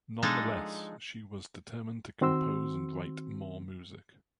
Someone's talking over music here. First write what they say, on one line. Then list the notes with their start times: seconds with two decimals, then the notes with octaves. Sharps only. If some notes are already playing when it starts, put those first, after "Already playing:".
Nonetheless, she was determined to compose and write more music.
0.23 F3 G#3 D4 D#4 G#4 A4
2.21 D#3 C4 F#4 C6 E6